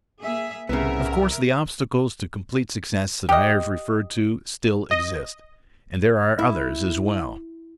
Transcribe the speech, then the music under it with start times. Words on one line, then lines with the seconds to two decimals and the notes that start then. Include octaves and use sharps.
Of course the obstacles to complete success that I have referred to still exist, and there are others as well.
0.21 A#3 G#4 E5
0.69 C2 A2 C#3 B3 A#4 E5
3.29 G4 D#5
4.91 D#5
6.39 E4